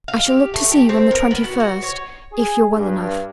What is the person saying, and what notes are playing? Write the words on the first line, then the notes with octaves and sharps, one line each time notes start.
I shall look to see you on the twenty-first, if you're well enough.'
F5
G4
A3
G4
C4
A#4
B3
F#4
F#4
C#5
G#4
G2